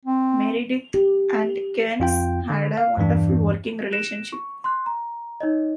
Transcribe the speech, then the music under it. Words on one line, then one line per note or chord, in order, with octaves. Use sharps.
Meredith and Kerns had a wonderful working relationship.
C4
G4
F2 F4 G5
D3
F5
E2 G2 E3 D4
F#6 A#6 D7 E7
C#6
C6 F#6
A#5
D#4 C#5 D#5